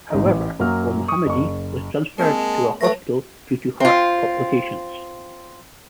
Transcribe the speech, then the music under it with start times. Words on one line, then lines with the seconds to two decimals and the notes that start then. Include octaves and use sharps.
However, Golmohammadi was transferred to a hospital due to heart complications.
0.10 G#1 G3 D#4
0.25 A1 E3
0.59 F#2 F#3 A#3 F6
1.08 C#6 D#6
1.26 F#1 C#6
2.18 G#3 A#3 C4 A#4 A5
2.81 A3 B4 A5 A#6
3.80 C4 F4